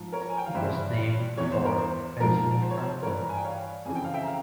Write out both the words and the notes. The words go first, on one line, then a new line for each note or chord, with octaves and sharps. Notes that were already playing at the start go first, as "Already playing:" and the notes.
It was named for Benjamin Franklin.
Already playing: G#2 F3
A#4 C#5
A#5
G#5
G5
F5
G2 E3 C5 E5
E2 E3 C#5
C5
A#4
C5
G#2 F3 A#4
C5
C#5
C5
G2 E3 A#4 C#5
A#5
G#5
G5
C#5 F5
F2 C#3 E3 G#5
G5
F5
E5 G5
A#5
F5